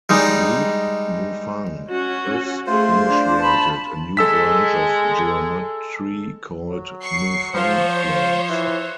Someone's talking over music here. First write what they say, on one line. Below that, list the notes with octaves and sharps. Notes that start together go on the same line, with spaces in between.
Ruth Moufang thus initiated a new branch of geometry called Moufang planes.
G3 G#3 D#4
C#4 F#4
A3 F4 G#4 C5
D4
A5 B5
G#3 A4 E6 B6
F#3
C#6 C7
F3 C5 C#5
E3